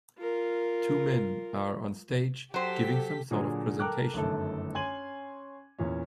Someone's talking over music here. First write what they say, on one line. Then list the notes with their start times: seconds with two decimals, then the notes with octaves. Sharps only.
Two men are on stage giving some sort of presentation.
0.19 F4 A#4
2.54 F#3 G4 A4 C5 B6
3.31 A#2 D3 F#3 D4 G#4
3.79 A4 A#4 G5 D6 F#6
4.13 G1 F#2 D#3 A3 A4
4.75 C#4 G#5 C6 G#6 D#7 F#7
5.79 E2 A#2 C#4